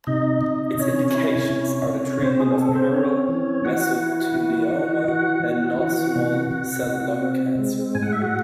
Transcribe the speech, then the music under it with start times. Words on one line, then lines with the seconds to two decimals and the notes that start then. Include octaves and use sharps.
Its indications are the treatment of pleural mesothelioma and non-small cell lung cancer.
0.07 C3 D#4 D#5
0.43 C3
0.79 C3 C#4 C#5
1.15 E4
1.50 C3
1.87 C3
2.22 C3 C4 C5
2.40 G#4
2.58 C4 A4
2.76 C4 C5
2.93 C4 C#4 C#5
3.29 E3
3.65 E3 F#4 F#5
4.00 E4
4.36 E3
4.72 E3
5.08 E3 F#4 F#5
5.44 E3
5.79 E3 F#4 F#5
6.16 C3
6.51 C3
6.86 C3
7.22 C4
7.58 G#3
7.95 A2 G#5
8.03 F#5
8.12 E5
8.22 F#4 F#5